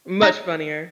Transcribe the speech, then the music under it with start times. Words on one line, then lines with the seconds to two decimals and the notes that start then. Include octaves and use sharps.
Much funnier.
0.23 D#4